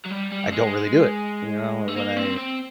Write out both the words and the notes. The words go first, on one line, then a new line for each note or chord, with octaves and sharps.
I don't really do it, you know, when I
F#3
G3
G3
A3
G#3
A3
A#3
C4
C4